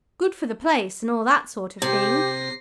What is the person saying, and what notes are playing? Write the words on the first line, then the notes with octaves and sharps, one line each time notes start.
"Good for the place--and all that sort of thing."
C3 G4 A#6 C7